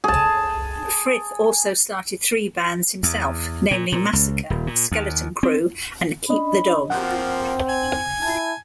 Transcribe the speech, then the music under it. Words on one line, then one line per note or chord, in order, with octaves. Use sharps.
Frith also started three bands himself, namely Massacre, Skeleton Crew, and Keep the Dog.
G#4 A5
E2
A#2
A#2
C#2
D#1
A#2
D#2
C4
C#4 D4 D#5 B5
F3 A#3 C4 F#5
G#5
E4 A5 G#6